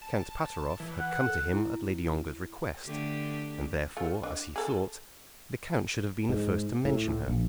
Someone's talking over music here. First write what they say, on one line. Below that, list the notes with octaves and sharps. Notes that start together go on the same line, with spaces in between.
Count Pateroff had come to him at Lady Ongar's request, and therefore, as he thought, the count should have been the first to mention her.
A5
E3
F#5
A4
E4
D3 A3 G4
A3 F4
D4 D#5
G#4 A4
G#2
A2
A#1